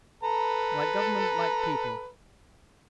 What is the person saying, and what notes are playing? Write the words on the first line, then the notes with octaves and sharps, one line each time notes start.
Like government, like people.
A4 B4 A#5